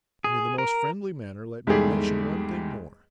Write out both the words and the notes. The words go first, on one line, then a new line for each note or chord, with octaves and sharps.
And in the most friendly manner, let me mention one thing more.
G#4
A#4
E2 G#2 G3 A3 G4 G#4